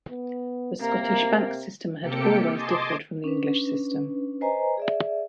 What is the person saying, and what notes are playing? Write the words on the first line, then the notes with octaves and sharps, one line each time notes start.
The Scottish bank system had always differed from the English system.
B3
C3 A#3 A#4
C3 A#3 G4 A4 G5 C#7
D#5 G#5 A5 C6 D6
C#4 D4 B4
B4 C5 D#5 G#5 A#5
G#4 D5 E5